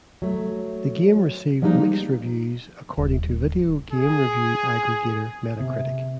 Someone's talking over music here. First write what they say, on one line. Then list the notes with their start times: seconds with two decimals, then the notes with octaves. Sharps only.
The game received "mixed" reviews according to video game review aggregator Metacritic.
0.22 F#3 A3
1.62 F3 G3 G#3 A#3 C#4 D#4
2.97 D#1
3.93 G#4
5.59 C3